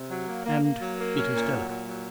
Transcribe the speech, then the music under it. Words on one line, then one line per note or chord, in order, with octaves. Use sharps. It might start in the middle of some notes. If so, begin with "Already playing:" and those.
"And it is delicate."
Already playing: C3
F#3
A#3
A#3
A#3
F#3
A#3
C#4
A#2
F#3
A#2
F#3